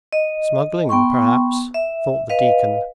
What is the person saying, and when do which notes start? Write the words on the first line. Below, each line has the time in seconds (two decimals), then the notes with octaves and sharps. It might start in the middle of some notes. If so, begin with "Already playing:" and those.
"Smuggling, perhaps," thought the deacon.
0.13 D#5
0.89 B3 G5 C6 C#6
1.74 E5
2.30 B4 D#5 F5